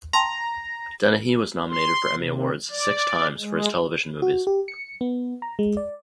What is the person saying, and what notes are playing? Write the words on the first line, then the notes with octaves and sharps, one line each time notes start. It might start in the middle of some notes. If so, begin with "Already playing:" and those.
Dennehy was nominated for Emmy Awards six times for his television movies.
G5 A5 A#5 C6
C6
C3
D5
G#3
F#4
G4
C#7
B3
A#5
G#3
D5